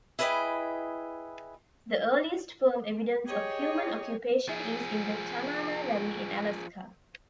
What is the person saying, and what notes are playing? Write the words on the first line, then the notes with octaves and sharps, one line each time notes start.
The earliest firm evidence of human occupation is in the Tanana Valley in Alaska.
E4 G#4 B4 C#5 D#5 G5
G4 G#4 C#5 D#5
F3 G#4